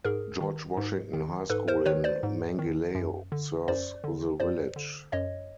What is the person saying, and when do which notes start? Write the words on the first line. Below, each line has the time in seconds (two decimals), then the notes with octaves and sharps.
George Washington High School in Mangilao serves the village.
0.04 G#2 G#4 A#4
0.41 D#3
0.77 G#2
1.13 D#3
1.50 G#2 A4 B4
1.68 A#4 C5
1.86 D#3 B4 C#5
2.04 C5 D5
2.23 G#2
2.59 D#3
2.95 F#2
3.32 D3
3.68 F#2 C5 D5
4.04 D3
4.40 F#2 C5 D5
4.76 D3
5.12 F#2 C#5 D#5